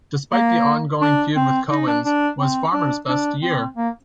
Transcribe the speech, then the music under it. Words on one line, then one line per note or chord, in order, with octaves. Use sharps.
Despite the ongoing feud with Cowens, was Farmer's best year.
A#3
D4
C4
D#4
D4
D4
C4
D4
D4
C4
A#3